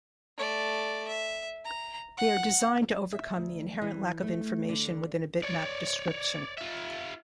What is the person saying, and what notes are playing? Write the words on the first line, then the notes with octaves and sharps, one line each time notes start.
They are designed to overcome the inherent lack of information within a bitmap description.
A3 D5
E5
A#5
F#5
E5
D2
E3
A3
D3
C#5 D5
F4 E5